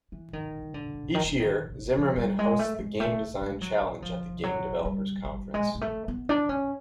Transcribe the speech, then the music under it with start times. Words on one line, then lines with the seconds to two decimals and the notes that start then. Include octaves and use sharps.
Each year Zimmerman hosts the Game Design Challenge at the Game Developers Conference.
0.12 E3
0.33 D#3
0.74 D3
1.14 D#3
1.27 E3
1.40 D#3
1.97 F3
2.17 G3
2.39 G#3
2.59 A3
2.79 G#3
3.00 A3
3.41 G#3
3.61 F#3
4.02 F3
4.43 F#3
4.85 G3
5.25 G3
5.54 G#3
5.75 G#3
5.81 A3
6.08 B3
6.29 D4
6.49 C#4